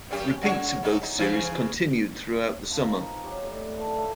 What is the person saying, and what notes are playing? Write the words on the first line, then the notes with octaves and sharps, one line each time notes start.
Repeats of both series continued throughout the summer.
F#2 C#4 G4
C#3 C#5
C#3 C#4 D#4
D#4
C#3 E3 G#4
F3 B3 D#4 F4
C4 A#4
F#3 G4 C#6
A2 G3 G4 G5
A#2 D3 E3 A3
G3 A3 D4